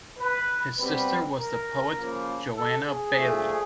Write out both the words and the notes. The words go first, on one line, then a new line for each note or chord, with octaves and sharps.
His sister was the poet Joanna Baillie.
B4
B2 G3 C4 B4
A#4
C#3 F3 A#3
A4
G#4
A#2 F3 A3